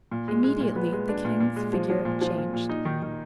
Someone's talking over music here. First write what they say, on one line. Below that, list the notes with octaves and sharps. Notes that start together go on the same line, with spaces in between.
Immediately the king's figure changed.
A#2
G#3
G#3
A#2
B3
G#3
D4
A#2
A#2
G#3
F3
F3
A#2
F3
A#2
A#2
D#4
D#3
D#3